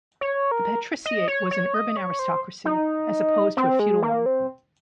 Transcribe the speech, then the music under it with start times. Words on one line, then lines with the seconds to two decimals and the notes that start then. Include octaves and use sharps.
The patriciate was an urban aristocracy, as opposed to a feudal one.
0.21 C#5
0.51 A#4
1.06 D#5
1.28 C#5
1.51 C#5
1.74 D#5
1.97 C#5
2.19 C5
2.65 D#4
3.57 C4
3.79 G#3
4.02 A#3
4.26 C4